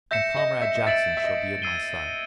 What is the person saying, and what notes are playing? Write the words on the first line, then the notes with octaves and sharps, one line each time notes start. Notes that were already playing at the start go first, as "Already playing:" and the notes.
And Comrade Jackson shall be at my side.'
E5 G6 A#6 C#7 E7
D#5
E5
D#5
E5 A6 D7 F#7
E5
D#5
E6 G#6 C7 D#7 G7